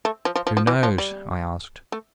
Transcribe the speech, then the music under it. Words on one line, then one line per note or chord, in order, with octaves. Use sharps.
"Who knows?" I asked.
A3
F3
F3
F3
F3
E3
F3
G3
A3